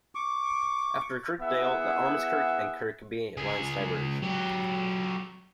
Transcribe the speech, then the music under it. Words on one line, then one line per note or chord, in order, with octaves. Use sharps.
After Kirkdale, the Ormskirk and Kirkby lines diverge.
C#6 D6
B3 E4 G#4 E5 F#5
C#2 G#4
F#3 G4